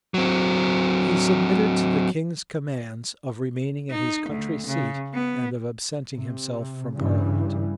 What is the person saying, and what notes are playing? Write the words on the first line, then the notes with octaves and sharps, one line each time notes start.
He submitted to the king's commands of remaining at his country seat, and of absenting himself from parliament.
F#3 C4
D#4
D2
C#3
B3
C3
G2 C#3 E3 G3